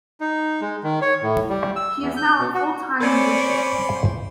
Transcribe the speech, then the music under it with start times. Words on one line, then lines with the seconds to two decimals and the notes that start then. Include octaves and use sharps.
He is now a full-time musician.
0.20 D#4
0.61 G#3
0.83 D#3
1.02 C#5
1.22 A2
1.49 G3
1.76 E6
2.02 E2
2.17 G6
2.39 B2
2.54 F#4
3.00 C4 C#4 A#4 C5 D5 G#5 B5